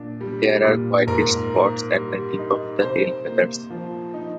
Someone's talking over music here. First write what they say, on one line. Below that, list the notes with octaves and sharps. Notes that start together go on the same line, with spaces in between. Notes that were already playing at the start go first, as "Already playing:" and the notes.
There are whitish spots at the tip of the tail feathers.
Already playing: A#2 D4
G3
A#2
G#2 A#4
A#3
G3
D#4
C3 C5
A#3
F3
D#4